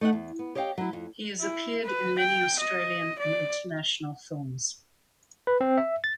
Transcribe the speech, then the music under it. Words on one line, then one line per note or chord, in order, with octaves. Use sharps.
He has appeared in many Australian and international films.
A3 D#4 E5 F#5
E2
B3
G4 C#5 D#5 F5 G5
F#3 E4
F2
E4
B4
G5
D#5
D5
B4
C4
E5
A6